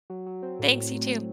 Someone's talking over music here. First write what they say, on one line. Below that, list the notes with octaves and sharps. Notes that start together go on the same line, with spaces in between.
Thanks, you too.
F#3
F#3
C4
A2